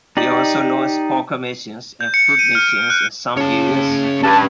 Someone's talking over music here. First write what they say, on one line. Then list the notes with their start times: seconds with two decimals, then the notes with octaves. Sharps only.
They are also known as "poker machines" and "fruit machines" in some areas.
0.17 D#4 G4 D5
2.01 G6
2.14 C#7
2.39 D#7
2.55 F6
2.68 D7
2.90 F#6
3.37 C#3 C#5 A5
4.23 G2 C#4 B4 A5